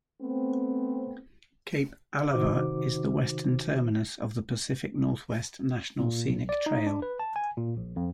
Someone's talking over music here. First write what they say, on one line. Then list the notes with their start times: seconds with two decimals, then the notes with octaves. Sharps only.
Cape Alava is the western terminus of the Pacific Northwest National Scenic Trail.
0.21 A3 B3 C4
2.33 C3 D#3 D#4 F#4 C5 D6
5.99 A#2
6.27 B1
6.49 D5
6.66 D#4
6.87 D4
7.02 B4
7.20 A5
7.36 G#5
7.57 A#2
7.77 A#1
7.96 F2